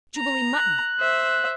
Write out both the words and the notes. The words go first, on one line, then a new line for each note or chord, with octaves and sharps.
Jubilee mutton.
A#5
F#6
C5 E5